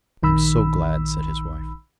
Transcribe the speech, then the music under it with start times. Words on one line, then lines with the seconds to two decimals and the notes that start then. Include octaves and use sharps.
"I am so glad," said his wife.
0.23 A#1 D#3 B5 E6